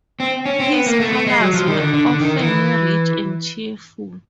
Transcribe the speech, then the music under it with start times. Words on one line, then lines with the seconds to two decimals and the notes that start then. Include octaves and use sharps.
His colors were often rich and cheerful.
0.20 C4
0.46 C#4
0.60 C4
0.72 B3
0.86 A#3
1.00 A3
1.13 A3
1.27 G#3
1.40 F#3
1.53 F3
1.67 D#3
1.80 D3
1.93 D3
2.06 D3
2.20 D#3
2.40 E3